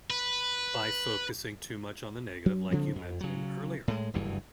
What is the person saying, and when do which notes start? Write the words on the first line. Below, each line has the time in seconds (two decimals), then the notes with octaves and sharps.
By focusing too much on the negative, like you mentioned earlier.
0.10 B4
2.46 F#3
2.71 C#3 F3 G3 C4
2.96 F2
3.21 C#3 F#3
3.88 A2 G#3
4.14 F#1 D2 G2 E3